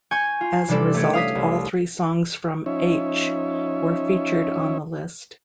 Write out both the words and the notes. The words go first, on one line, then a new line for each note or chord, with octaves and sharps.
As a result, all three songs from "H" were featured on the list.
G#5 C#6 G6
F4
C3 E3 G3 D4 E4 A4
A3 C#4 D4
F5 D#6 B6
C2
F3 C#4 D#4 C#5 E5